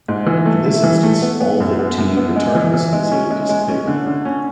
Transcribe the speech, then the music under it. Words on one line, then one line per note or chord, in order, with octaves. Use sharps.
In this instance, all that T returns is a piece of paper.
G#2
E3
A3
E4
E3
A3
B3
B3
F#2
B3
F#2
B3
G#3
E3
E3
G#3
C#4
G#3
G#3
C#4
D3
D3
C#4